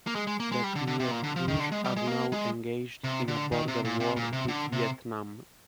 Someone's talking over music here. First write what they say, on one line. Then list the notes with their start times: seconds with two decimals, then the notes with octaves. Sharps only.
The Khmer Rouge are now engaged in a border war with Vietnam.
0.07 A#3
0.15 G#3
0.27 G#3
0.40 A#3
0.52 G#3
0.64 G3
0.75 D3
0.87 D3
1.00 C3
1.11 A#2
1.24 D3
1.36 F3
1.48 D#3
1.60 D3
1.72 G#3
1.84 G3
1.96 G#3
2.07 A#3
2.32 G#3
3.04 C3
3.28 D3
3.52 D#3
3.68 C3
3.85 A#2
4.00 C3
4.17 A#2
4.33 C3
4.48 D3
4.73 C3